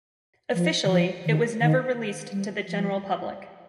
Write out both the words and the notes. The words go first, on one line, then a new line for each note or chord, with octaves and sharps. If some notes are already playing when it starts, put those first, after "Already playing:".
Officially, it was never released to the general public.
F3
D#3
F3
D#3
D#3
G3
F3